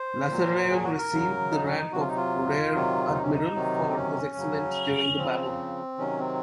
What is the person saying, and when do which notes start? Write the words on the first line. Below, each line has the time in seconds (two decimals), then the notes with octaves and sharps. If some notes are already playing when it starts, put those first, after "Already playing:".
Lazarev received the rank of Rear Admiral for his excellence during the battle.
Already playing: C5
0.29 A#2 F#3
0.71 G#4
0.84 F#4
0.98 A#4
1.11 C#3 F#3
1.51 D#4
1.65 C#4
1.78 D#4
1.92 C3 F#3 F#4
2.00 F4
2.08 D#4
2.17 F4
2.74 C3 D#3 F#3
3.14 D#4
3.23 C#4
3.31 D#4
3.54 C3 D#3 F#3
3.90 C4
3.96 C#4
4.36 C#3 F#3
5.17 C#3 F3 C4
5.98 C3 D#3 F#3 C#4
6.19 C4